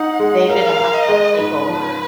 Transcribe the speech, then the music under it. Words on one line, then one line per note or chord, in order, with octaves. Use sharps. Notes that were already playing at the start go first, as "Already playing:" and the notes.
They did a hostile takeover
Already playing: D#4 F#5
G#3
A#4 F5
A#4
D#5
G#3
G#2 B4
F3